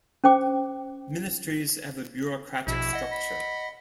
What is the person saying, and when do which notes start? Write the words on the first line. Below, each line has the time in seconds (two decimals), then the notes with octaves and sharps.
Ministries have a bureaucratic structure.
0.24 C#4 C5 G5 D6
2.67 A#1 B2 E4
2.93 D#5 F#5
3.11 B5